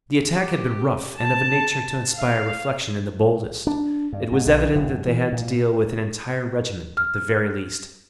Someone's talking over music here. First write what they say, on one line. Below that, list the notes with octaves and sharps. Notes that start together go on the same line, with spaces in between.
The attack had been rough, and of a nature to inspire reflection in the boldest. It was evident that they had to deal with an entire regiment at the very least.
G4
A5
F5
D4
G2
G#2
B1
F#1
F#2
E3
A#2
F6